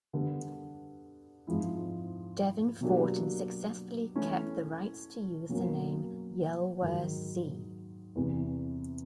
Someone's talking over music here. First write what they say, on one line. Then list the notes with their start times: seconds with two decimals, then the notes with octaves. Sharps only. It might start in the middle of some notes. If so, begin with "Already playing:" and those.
Devin fought and successfully kept the rights to use the name "yelworC".
0.13 D3 G3 B3
1.47 G#2 F3 G#3 C4 E4
2.81 B2 F#3 A#3 D4 G4
4.15 E3 A3 C#4 E4
5.49 B2 F#3 A#3 C#4
6.82 G#2 D#3 F#3
8.15 E2 C3 E3